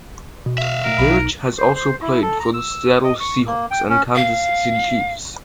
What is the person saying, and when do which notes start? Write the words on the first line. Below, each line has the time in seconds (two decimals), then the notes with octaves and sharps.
Darche has also played for the Seattle Seahawks and Kansas City Chiefs.
0.46 B2
0.58 E5 F5
0.85 A#4
0.98 B1 B5
1.11 D#4
1.58 C5
1.75 C5
2.02 E4
2.22 A4
2.40 A#5
2.54 E6
3.04 D#5
3.20 C#6
3.47 A#3
3.71 G5
3.89 C#4
4.15 F5